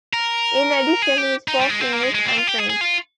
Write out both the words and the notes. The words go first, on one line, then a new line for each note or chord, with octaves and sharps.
In addition, he spoke English and French.
A#4
G#4
G4
D#4
G3
G#3
C4
A#3
G#3
G#3
C4
F4
G4
G#4
G#4
F4